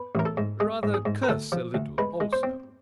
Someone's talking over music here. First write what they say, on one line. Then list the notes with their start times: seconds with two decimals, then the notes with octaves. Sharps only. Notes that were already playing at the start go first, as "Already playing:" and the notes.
Rather curse a little also!
Already playing: B4
0.15 A1 A#4
0.25 A4
0.37 G#2
0.60 G#3 G#4
0.83 G#2
0.94 G#4
1.05 G#2
1.23 A#4
1.29 D2 A4
1.52 F3
1.74 D2
1.98 G#3 B4
2.20 G#3
2.33 C5
2.43 C4